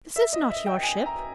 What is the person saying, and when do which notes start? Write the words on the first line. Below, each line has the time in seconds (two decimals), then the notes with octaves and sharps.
This is not your ship.
0.16 E5
0.33 D#5
0.50 E5
0.66 G5
0.83 G#5
1.06 A#5